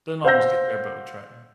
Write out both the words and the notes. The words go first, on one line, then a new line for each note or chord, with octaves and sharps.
Doesn't always get there, but we try, yeah.
C5 F5 F#5 E6 G6 A#6